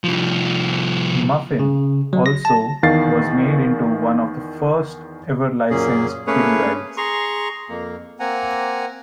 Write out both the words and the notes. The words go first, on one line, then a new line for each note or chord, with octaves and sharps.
Muffin also was made into one of the first ever licensed kiddie rides.
C2 F3
C#3
F#3
A#6
A5
E2 D#3 F5 A6 C7
F#2 A#2 A#3 C#4 G#4
A3 A#3 C#4 G#4 B4 C#5
G#4 A#5 C6 C#6
F2 A#3
A#3 C4 F#5 G#5 A#5